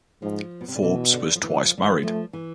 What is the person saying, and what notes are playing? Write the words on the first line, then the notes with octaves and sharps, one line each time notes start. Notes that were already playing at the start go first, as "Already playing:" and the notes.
Forbes was twice married.
G#2 F3
B2
C3
D3
B2 E3
D3
F3
E3
F3
D3
E3
F3 A3
E3